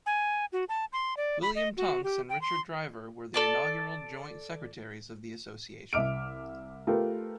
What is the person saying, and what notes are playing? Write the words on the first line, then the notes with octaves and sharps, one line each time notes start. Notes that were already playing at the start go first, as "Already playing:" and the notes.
William Tunks and Richard Driver were the inaugural joint secretaries of the association.
G#5
F#4
A5
C6
D5
B5
D#5
F#4
G4
G5
C6
A4 D5 A5
C2 E5 D6 F6 D7
A3 F4 G4 A#4 B4